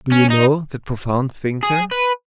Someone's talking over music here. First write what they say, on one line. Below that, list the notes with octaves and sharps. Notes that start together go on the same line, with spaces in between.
Do you know that profound thinker?
C#4
D#4
G#4
B4